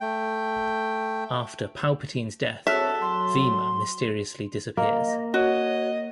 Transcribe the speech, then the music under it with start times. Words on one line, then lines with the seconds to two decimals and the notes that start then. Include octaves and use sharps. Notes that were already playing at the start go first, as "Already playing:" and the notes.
After Palpatine's death, Vima mysteriously disappears.
0.01 A3 G5
2.67 C4 F#4 G#4 A4 C#5 E5 F6
3.02 F#3 C6
4.77 A#3 D#5
5.34 F#4 C#5 D#5